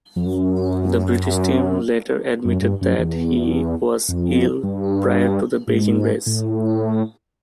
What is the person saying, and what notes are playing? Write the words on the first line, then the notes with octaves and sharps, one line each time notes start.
The British team later admitted that he was ill prior to the Beijing race.
F2
F#2
F#2
G2
F#2
E2
F2
G2
A2
G#2
A2